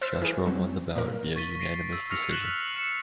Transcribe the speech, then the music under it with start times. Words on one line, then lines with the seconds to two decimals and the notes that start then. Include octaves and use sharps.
Joshua won the bout via unanimous decision.
0.01 C5 E6 F6 A6 B6
0.22 E3 G#4
0.46 F#3 C4
0.96 A#2 A#4
1.36 C#6 A6 B6 D#7 G7
1.60 A#6 C7 D7 D#7
1.92 E6
2.10 C#6 F6 A#6 C7 C#7 F7
2.31 F#6 B6 E7 F#7 G7
2.76 F6 C7 C#7 E7